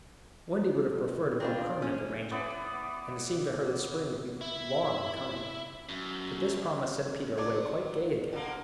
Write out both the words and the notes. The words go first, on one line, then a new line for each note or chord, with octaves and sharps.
Wendy would have preferred a more permanent arrangement; and it seemed to her that spring would be long in coming; but this promise sent Peter away quite gay again.
C4 D4 F4
C#4
E3 B3 D5
E4
F#2
F#3 D4 D5 D6
D3 A#3